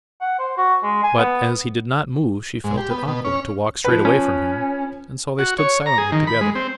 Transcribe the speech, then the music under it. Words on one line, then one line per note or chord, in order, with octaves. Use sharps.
But as he did not move she felt it awkward to walk straight away from him; and so they stood silently together.
F#5
C5
F#4
G#3
G#5
B3
G#2
G4
B3
B2
C#4
F3 B4
C#4
F#4
C#5
A#5
G#4
D#3
B5
G#3
C4